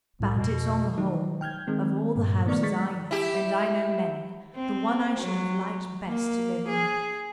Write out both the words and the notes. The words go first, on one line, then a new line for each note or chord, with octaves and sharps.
But it's on the whole, of all the houses I know, and I know many, the one I should have liked best to live in.
C2 A2 G3
F2 B2
D#3 F#3 D#4
G5 F6 G6 G#6
D#3 G#3 C4
G2 A#2
D#3 A3 B3 D5 C#6 F6
G#3 C#6 A6 B6
E4 G4
C4
F#3
A#3
G#4